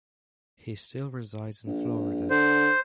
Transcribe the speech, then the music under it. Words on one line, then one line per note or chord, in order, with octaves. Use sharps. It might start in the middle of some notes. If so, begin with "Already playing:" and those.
He still resides in Florida.
A#1
D3 C5